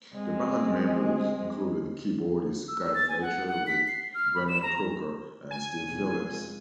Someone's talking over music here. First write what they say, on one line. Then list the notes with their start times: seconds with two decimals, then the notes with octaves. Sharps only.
The band members included keyboardist Guy Fletcher, with Brendan Croker and Steve Phillips.
0.15 G#3 C4
2.68 E6
2.81 E6
2.94 A6
3.09 G#5
3.22 F#5
3.48 F#5
3.67 B6
3.88 C7
4.14 F6
4.35 B5
4.49 E7
4.63 A#5
5.51 G#5
5.90 F1 G#3